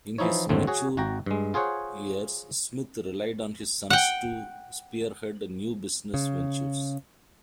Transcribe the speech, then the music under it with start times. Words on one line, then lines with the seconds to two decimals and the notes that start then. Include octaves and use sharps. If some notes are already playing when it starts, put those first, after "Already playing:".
In his mature years, Smith relied on his sons to spearhead new business ventures.
0.18 E3 F3 D#4 E4 C#5
0.49 G1 D#2 A2 D3 A3 C4
0.67 F#4 G#4 C#5
0.97 G#1 F#4 G5 A#5
1.26 G2 G#3
1.54 F4 G#4 C5 C#5 F#5
3.90 F#5 G5
6.14 C#3